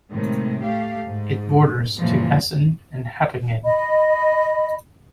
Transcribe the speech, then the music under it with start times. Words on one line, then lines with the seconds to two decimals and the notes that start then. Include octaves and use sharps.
It borders to Essen and Hattingen.
0.12 A2 C3 D#3 G#3
0.64 A3 G4 F5
1.07 G#2
1.98 F#2 A#2 C#3 E3 F3 G3
3.64 D#5 B5